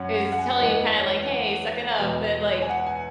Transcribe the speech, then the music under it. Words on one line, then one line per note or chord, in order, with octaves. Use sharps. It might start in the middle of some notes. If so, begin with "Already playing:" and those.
is telling you, kinda like, "Hey, suck it up." Then, like
Already playing: F#2 C#4 C#5 F#5
F#5
F#5
G#5
E2 E3 G#3 F#5
C#5
E2 B2 G#3
G#5
F#5
G#5